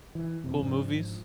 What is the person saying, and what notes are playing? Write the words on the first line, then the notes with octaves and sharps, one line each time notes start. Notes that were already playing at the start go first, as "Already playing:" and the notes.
Cool movies?
E3
F2 G#2 C3
G#2 F3 D4